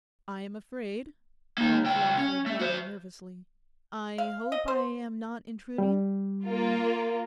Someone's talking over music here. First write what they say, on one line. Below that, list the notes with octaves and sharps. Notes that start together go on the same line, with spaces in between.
'I am afraid,' called Lawford rather nervously--'I hope I am not intruding?'
A#3 D#4
C#2 G5
C#4
A3
F#4 C5
F5
D#5
C5
G3
A#3 F4